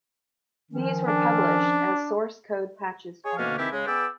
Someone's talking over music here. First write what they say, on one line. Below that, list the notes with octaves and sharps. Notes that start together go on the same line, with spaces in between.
These were published as source code patches only.
D#3 F3 C#4
D4
G#4 C#5
D2 B2 A#3 C#4 D4 F5
D#3 E3 C4 E4 G4 A4
C#3 G#3
B3 G#4 B4 D5 G5 E6